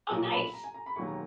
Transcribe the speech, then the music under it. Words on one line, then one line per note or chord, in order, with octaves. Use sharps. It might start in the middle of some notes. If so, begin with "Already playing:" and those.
Oh, nice.
B1 A#2 F#3 A#5
B5
A#5
G#5
A#5
B5
E1 D#2 D#3 F#3 C#6
A#5